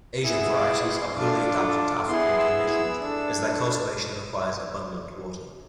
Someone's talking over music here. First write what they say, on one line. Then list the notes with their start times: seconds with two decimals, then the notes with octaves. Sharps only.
Asian varieties are poorly adapted to African conditions as their cultivation requires abundant water.
0.23 B3 E4 G#4 E6
0.54 D6
0.85 C6
1.16 D4 F4 A4 D6
1.24 C6
1.33 D6
2.08 B3 E4 G#4 C6
2.38 E6
2.70 E6
3.00 D4 A4 E6